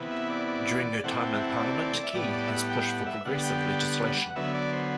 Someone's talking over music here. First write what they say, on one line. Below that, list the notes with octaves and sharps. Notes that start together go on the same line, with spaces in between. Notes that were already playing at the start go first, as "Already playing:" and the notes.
During her time in parliament, Key has pushed for progressive legislation.
Already playing: C3 E3 B3
E5
D5
D5
C3 E3 A3 C4 F#5
G5
E5
F#5
D5
E5
A2 G3 B3 D5
D5
E5
F#5
G5
F#5
E5
D3 G3 B3 F#5
G5
G5
F#5
D3 F#3 B3 E5
D5
C5